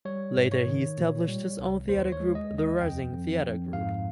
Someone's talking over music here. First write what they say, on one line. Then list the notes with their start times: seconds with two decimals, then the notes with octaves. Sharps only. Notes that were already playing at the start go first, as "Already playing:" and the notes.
Later he established his own theatre group "The Rising Theatre Group".
0.05 G3 C#5
0.36 G#2
0.52 C#5
0.67 D#3
0.98 A#2
1.28 G3
1.59 C2
1.89 D#2 C5
2.12 C#5
2.20 G#3
2.35 D#5
2.51 D#2
2.58 D#5
2.81 F2 G5
3.12 F2
3.42 F2
3.73 G#2 F5